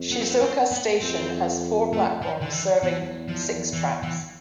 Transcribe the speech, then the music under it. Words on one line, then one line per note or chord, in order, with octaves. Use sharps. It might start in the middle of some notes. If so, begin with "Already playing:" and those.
Shizuoka Station has four platforms serving six tracks.
Already playing: F2
B3
C4
B3
C4
B3
F2 C4
A3
F3
D3
E3
E2 E3
F3
E3
E3